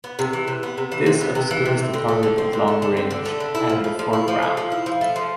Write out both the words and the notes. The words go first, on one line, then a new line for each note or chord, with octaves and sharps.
This obscures the target at long range and the foreground.
B3
C3
E3
C3
B3
C3
E3
C3
B3
C3
E3
C3
C4
D3
A3
D3
C4
D3
A3
D3
C4
D3
A3
D3
E4
F3
A3
F3
E4
F3
A3
F3
E4
F3
A3
F3